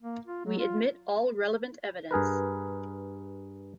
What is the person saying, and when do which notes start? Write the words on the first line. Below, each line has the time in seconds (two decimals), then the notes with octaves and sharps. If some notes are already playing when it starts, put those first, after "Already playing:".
We admit all relevant evidence.
0.03 A#3
0.27 F4
0.46 F#3
0.59 F4
2.11 G2 G#4 A#4 B4